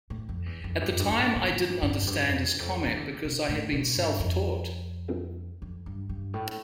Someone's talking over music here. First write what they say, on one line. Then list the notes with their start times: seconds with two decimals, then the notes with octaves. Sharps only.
At the time I didn't understand his comment because I had been self-taught.
0.10 A2
0.29 F2
0.46 E2
0.64 F2
0.81 G2
0.91 F2
0.99 G2
1.11 G2
1.18 A2
1.36 A2
1.48 A2
1.58 G2
1.82 G2
2.02 F2
2.07 G2
2.24 F2
2.43 E2
2.60 F2
2.78 E2
2.86 E3
2.96 D3
3.14 C3
3.24 C3
3.30 B2
3.49 A2
3.73 B2
3.96 G2
4.20 F2
5.62 F2
5.86 G2
6.09 G2
6.34 A2